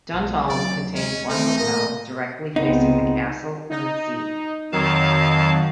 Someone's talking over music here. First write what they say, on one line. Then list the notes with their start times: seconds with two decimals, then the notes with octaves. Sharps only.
Duntulm contains one hotel, directly facing the castle and the sea.
0.11 B1
0.49 D#2 F#3 D5
0.95 G#3 C#4
1.29 A3 C4 D#4
1.58 A2 A3 A#3 D#5
2.56 C#2 B3 C4 D#4
3.70 D#4
4.72 F2 D#3 F#3 F5 A5